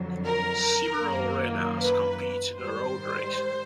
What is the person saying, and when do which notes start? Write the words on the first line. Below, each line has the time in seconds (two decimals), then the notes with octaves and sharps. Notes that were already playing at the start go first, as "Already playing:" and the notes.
Several runners compete in a road race.
Already playing: F2 D3 F#3
0.25 A#4
1.02 F#2 D#3 F#3 A#3
1.79 B4
2.56 G#2 D#3 G3 C5